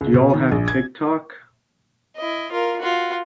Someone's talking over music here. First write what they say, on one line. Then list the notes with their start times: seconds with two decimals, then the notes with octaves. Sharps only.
Do y'all have TikTok?
0.01 C#2
0.14 B2
0.33 D#3
0.51 A#1
0.68 G#6
2.16 E4 D#5
2.51 F4 A#4
2.80 F4 F#4